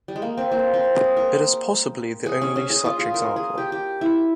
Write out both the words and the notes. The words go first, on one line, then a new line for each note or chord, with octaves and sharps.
It is possibly the only such example.
G3
G#3
A#3
C4
A#3
C4
G#4
A#4
G#4
C#4
C#4
G#4
F4
G#4
A#4
G#4
G4
G4
E4